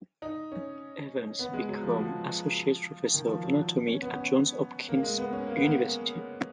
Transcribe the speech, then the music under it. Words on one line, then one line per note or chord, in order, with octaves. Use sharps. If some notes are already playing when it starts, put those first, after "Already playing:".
Evans became associate professor of anatomy at Johns Hopkins University.
D#4
C#4
B3
G#3
F#3
F3
F3
D#3
F3
F#3
F#3
C#4
B3
C#4
A#3
G#3
B3
C#4
A#3
B3
A#3